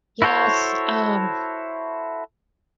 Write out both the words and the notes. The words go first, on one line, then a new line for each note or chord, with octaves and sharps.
Yes, um,
E4 F#4 A4 C5 C#5